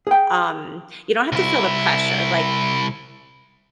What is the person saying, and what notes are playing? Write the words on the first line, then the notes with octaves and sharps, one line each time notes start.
um you don't have to feel the pressure. Like,
G#4 G5
C2 E4